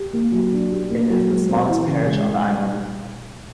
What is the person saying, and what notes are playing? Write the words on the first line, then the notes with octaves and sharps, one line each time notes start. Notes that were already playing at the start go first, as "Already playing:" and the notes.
It is the smallest parish on the island.
Already playing: G4
A#3
F#3
D4
G4
A#3
F#3
G#3
C4
E3
C#3
G#3